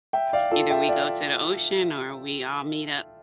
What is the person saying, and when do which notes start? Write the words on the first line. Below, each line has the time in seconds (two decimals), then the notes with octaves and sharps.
either we go to the ocean or we all meet up
0.13 E5 G5
0.33 D5 F5
0.51 F4 A4
0.70 E5 G5
0.89 D5 F5